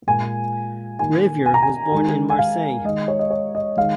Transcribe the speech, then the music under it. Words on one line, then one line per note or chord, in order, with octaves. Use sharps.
Ravier was born in Marseille.
A#2 G#3 G#5
D#3 A#3 G#5
G#5
A#5
G#5
D#3 G#3
G#5
F5
D#3 G#3 D#5
C#5
D#5
C#5
D#5
D#3 G#3 F5